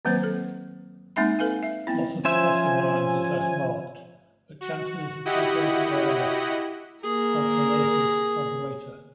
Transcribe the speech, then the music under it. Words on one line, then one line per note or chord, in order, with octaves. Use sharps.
Loss of potassium ions is less marked but chances of hypochloremic alkalosis are greater.
D#3 F#3 A#3 C4 B4 C5
A4
G#3 A#3 C4 D#4 E5 B5
A4 B4 F5 G#5
E5
B3 C4 E4
F3 C#4 C5 E5 G#5
F#4
E4 F#4 G4 D#5 F#5
A#3 G#4 A#4